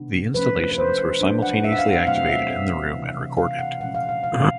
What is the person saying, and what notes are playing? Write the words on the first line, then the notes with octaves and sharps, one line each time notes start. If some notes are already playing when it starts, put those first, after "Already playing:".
The installations were simultaneously activated in the room and recorded.
Already playing: C3 D#3 G#3 B3 D4
F3 A3 C#4 B4
B4
C5
F#3 B3 D4
F#5
E5
F#5
F5
F#5
B2 F#3 A3 C4 F5
E5
E5
C3 E3 A3
F5
F#5
A#2 F3 G#3 C#4 F#5
F5
F5
F5